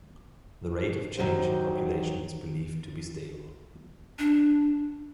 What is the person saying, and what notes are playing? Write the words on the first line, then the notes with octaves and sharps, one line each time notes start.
The rate of change in population is believed to be stable.
D#2 D#3 F#3 G4 C5
D4